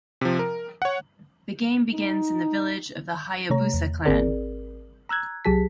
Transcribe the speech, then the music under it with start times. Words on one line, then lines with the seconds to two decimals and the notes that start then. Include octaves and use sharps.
The game begins in the village of the Hayabusa clan.
0.21 C3 F3
0.39 A#4
0.82 C#5 F#5
1.92 D#4
3.50 C3 A3 C#5 A#5
3.74 E2
4.05 G#1 C4 G#4 A#4 D5
5.09 A#5 E6 F#6 G#6
5.45 C2 F#3 G4 G#4 A5 B6